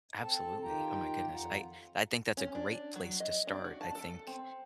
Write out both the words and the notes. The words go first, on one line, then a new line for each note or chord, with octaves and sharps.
Absolutely. Oh my goodness. I I think that's a great place to start. I think
C4 A4 A5
D#3 F4 G4 G5 A#5
F2 F4 F#5 A#5
C#4
D4
F#3
D#5
D4
F#4
A5
A4
C4